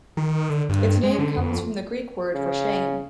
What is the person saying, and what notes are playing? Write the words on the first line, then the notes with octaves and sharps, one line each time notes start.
Its name comes from the Greek word for "shame".
D#3
D3
G2
G#3
D3
F2
C#3